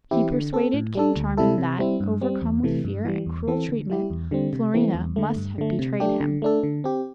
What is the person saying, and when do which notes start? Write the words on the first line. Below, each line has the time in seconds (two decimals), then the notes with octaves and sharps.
He persuaded King Charming that, overcome with fear and cruel treatment, Florina must have betrayed him.
0.11 E3 C4 E4 G4
0.32 D3
0.53 C4 A4
0.74 A2
0.95 G3 D4 A4
1.16 D2
1.37 C3 G3 E4 A4
1.58 C3
1.79 G3 C4 E4
2.00 G2
2.21 G3 C4
2.42 E2
2.63 C3 E3 A3
2.84 G2
3.05 E3 G3
3.26 E2
3.48 E3 C4 A4
3.69 D3
3.90 G3 E4 G4
4.10 E2
4.31 D3 G3 C4
4.53 C3
4.74 E3 A3 C4
4.94 E2
5.16 D3 A3
5.36 G2
5.58 D3 A3
5.79 C3
6.00 A3 D4 G4
6.21 D3
6.42 A3 D4 A4
6.63 D3
6.84 C4 G4